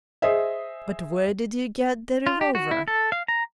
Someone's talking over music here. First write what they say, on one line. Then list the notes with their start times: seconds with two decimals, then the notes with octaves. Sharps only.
But where did you get the revolver?
0.22 G#4 C5 D#5 E5
2.27 F4
2.41 G4
2.55 F#4
2.71 E4
2.88 A4
3.12 F5
3.28 A#5